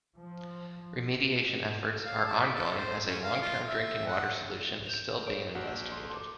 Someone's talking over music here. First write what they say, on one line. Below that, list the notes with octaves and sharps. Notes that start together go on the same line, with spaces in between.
Remediation efforts are ongoing as a long-term drinking water solution is still being investigated.
F3
F5
A5
B5
A4
C5
C#4
F5
F4
E5
F#5
G6 E7 F7
D4 C#5 D7
A#1 F#4
C6
A4 C6 D6